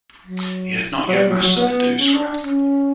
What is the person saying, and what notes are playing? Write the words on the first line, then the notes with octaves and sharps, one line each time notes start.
He had not yet mastered the doosra.
F#3
F#3
G3
F#3
F#3
B3
C#4
D4
D4
C#4